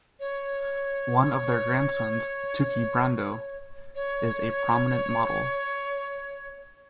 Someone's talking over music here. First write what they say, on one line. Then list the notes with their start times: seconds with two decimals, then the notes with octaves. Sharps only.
One of their grandsons, Tuki Brando, is a prominent model.
0.20 C#5
3.95 C#5